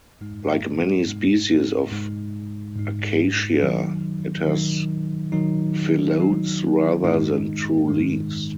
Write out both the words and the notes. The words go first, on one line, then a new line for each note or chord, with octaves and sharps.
Like many species of "Acacia" it has phyllodes rather than true leaves.
G#2 G#3 D#4
G#2 G#3 D#4
G#2 G#3 D#4
G#2 G#3 D#4
D#3 F#3 D#4
D#3 F#3 D#4
D#3 F#3 D#4
D#3 F#3 D#4
G#2 D#3 G#3 D#4
G#2 D#3 G#3 D#4